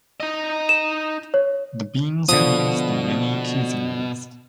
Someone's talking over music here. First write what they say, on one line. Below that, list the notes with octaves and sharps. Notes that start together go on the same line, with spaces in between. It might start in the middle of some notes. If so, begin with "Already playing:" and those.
The beans are used in many cuisines.
D#4 D#5
E7
C#5
B2 D3 F3 D#6